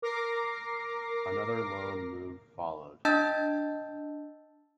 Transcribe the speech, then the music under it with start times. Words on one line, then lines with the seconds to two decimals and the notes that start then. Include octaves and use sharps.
Another loan move followed.
0.02 A#4 D6 A#6 C7
3.05 D4 D#5 A5 E6 G6 A6